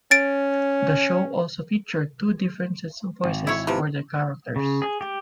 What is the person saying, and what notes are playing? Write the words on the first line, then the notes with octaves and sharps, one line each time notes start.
The show also featured two different sets of voices for the characters.
C#4 A6 D7
G#1
E4 C#5
C3 E3 F3
C#3
G#4
G4